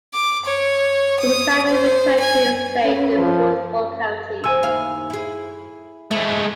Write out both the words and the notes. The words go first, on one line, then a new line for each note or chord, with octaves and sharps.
He resigned and returned to his estate in Woodford County.
D6
C#5
D#6
C5
G#5
C#4 B4
F3
E2 C3 G#5 E6
D#2 E4 F5
E4 G#4
G#3 A3 E4